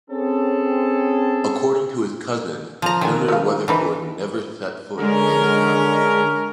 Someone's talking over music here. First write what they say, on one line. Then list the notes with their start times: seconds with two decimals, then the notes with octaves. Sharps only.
According to his cousin, Senator Weatherford never set foot in the town.
0.10 C4 C#4 G#4 A4
2.82 F3 A#5
3.01 D#3 G3 F4 G#5
3.28 A3 F5
3.68 E3 D4 D#4 B4
4.97 D3 G#3 C#4 A#4